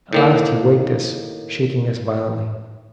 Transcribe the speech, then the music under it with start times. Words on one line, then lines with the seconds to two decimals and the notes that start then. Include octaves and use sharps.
At last he waked us, shaking us violently.
0.13 A2 D#3 A#3